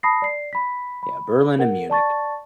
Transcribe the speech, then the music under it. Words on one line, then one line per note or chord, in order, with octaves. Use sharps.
Yeah, Berlin and Munich.
A5 B5 D#6 A#6 C7
D5 C7
B5 B6
B5
A#4 F#5
D5 A5 C#6 A6